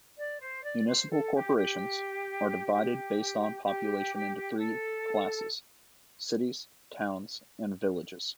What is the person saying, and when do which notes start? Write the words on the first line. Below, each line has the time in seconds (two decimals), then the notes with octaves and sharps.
Municipal corporations are divided based on population into three classes: cities, towns, and villages.
0.17 D5
0.40 C5
0.63 D5
0.87 C5
1.09 A4
1.33 G4
1.56 G4
2.72 G4
3.65 G4
4.58 A4